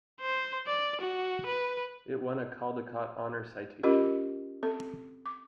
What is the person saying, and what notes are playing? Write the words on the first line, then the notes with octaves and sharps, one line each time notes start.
It won a Caldecott Honor citation.
C5
D5
F#4
B4
C#4 F4 G4 A#4 D#5
C4 A4
D6